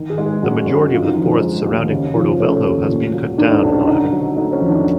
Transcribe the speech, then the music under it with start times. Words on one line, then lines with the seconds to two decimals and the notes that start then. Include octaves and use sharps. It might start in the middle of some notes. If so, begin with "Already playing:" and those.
The majority of the forest surrounding Porto Velho has been cut down, however.
Already playing: D#3
0.10 G#4
0.18 G#3
0.26 G#4
0.43 F#2 F#4
0.67 F#2
0.91 D3 F4
1.04 D#4
1.17 F3
1.28 D#4
1.41 G#3
1.66 D#2
1.90 C#3
2.15 F3
2.39 A3 C#4
2.64 D#2
2.89 A#2
3.14 F#3
3.38 A3 D4
3.50 D#4
3.62 B1 C#4
3.75 D4
3.87 D3 D#4
4.12 F#3
4.36 A3 D#4
4.53 C#4
4.61 F2
4.69 D4